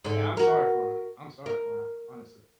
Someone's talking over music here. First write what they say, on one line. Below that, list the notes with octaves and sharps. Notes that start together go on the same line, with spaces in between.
Yeah, I'm sorry for him, I'm sorry for him, honestly,
G#2 D3
F#4 A#4
A#4